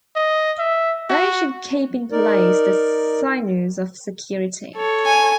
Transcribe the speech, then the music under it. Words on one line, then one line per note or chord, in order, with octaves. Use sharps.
They should keep in place the sinews of security.
D#5
E5
F#4
D#4 A#4 D5
A4 C#5
G#5